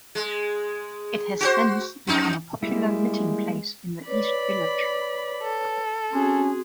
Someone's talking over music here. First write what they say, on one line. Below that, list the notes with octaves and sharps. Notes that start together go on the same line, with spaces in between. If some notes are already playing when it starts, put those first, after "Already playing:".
It has since become a popular meeting place in the East Village.
G#3
F#4 G4 C5
F2 D#4
G3 G#3 A#3 E4
B4 C#5 D5 B5
A4
C4 C#4 F#4 G#4